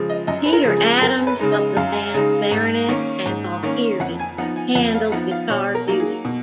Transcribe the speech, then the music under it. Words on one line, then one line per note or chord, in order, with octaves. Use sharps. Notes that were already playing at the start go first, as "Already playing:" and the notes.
Peter Adams of the bands Baroness and Valkyrie handled guitar duties.
Already playing: C#3 F3 G#3
D#5
F#2 D#5
B4
A#4
C#3 F3 G#3
G#4
F#2 A#4
B4
C#3 G#3 D#4
D#5
F#2 F5
C#3 G#3 D#4
G#2
D#3 A#3 C#4
G#2
D#3 A#3 C#4
F2 F#5
G#5
F3 B3 D#4 F#5
G#5
F2 F#5
F5
F3 B3 D#4 F#5
F5
B2 C#5
A#4
F#3 A#3 D#4
G#4
B2